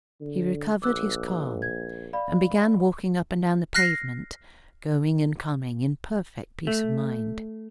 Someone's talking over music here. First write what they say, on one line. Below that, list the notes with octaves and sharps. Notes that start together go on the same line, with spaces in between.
He recovered his calm, and began walking up and down the pavement, going and coming, in perfect peace of mind.
D3
A#1 D6 E6 F#6
G#6
D5 F5 B5
F6 F#6 A#6 C7
A3